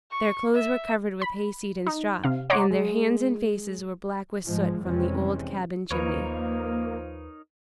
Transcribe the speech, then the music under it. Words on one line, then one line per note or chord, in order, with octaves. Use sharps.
Their clothes were covered with hayseed and straw, and their hands and faces were black with soot from the old cabin chimney.
C#6
E5
B5
D#4
C3 F5
C#5 D#5 F#5 A#5 C6 D6
G#3
G#2 F3 G#3
F2 C3 E3 G#3 C4 C#4
D#2 F3 A#3 D#4 A#4 B4 C#5